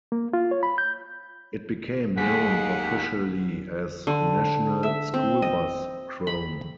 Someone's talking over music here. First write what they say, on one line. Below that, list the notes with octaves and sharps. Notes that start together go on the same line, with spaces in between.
It became known officially as "National School Bus Chrome".
A#3
F4
C#5
B5
G6
D#2 G#4 F#5 B6
D3
E5
C4
D#5
B5